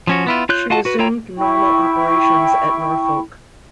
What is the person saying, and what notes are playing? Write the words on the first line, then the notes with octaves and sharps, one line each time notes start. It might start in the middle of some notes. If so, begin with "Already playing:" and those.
She resumed normal operations at Norfolk.
F3 C#4 F#4
B3 E4 F4
F4 C#5 F#6 G6
F4 F#4 D#5 F#5 A5
F#4 B4
E4 F4 C#5 G5 A#5
E4 G5 C#6